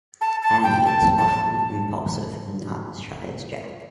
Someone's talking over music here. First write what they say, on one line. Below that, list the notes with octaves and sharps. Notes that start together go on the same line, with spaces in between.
Annie is often impulsive and not as shy as Jack.
A5
A5
G5
A5
A5